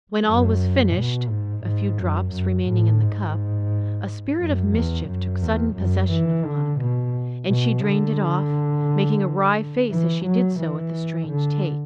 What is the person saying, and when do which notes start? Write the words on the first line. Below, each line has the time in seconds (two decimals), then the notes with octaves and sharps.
When all was finished, a few drops remaining in the cup, a spirit of mischief took sudden possession of Monica, and she drained it off, making a wry face as she did so at the strange taste.
0.25 F#2
0.95 B2
1.29 G#2
1.64 G#2
1.98 F#2
2.32 F#2
2.66 A2
3.01 G#2
4.40 F#2
4.73 E2
5.08 F#2
5.42 E2
5.76 F#2
6.11 E3
6.45 D3
6.80 B2
7.49 B2
7.83 D3
9.91 E3
10.25 F#3
10.60 E3
11.28 D3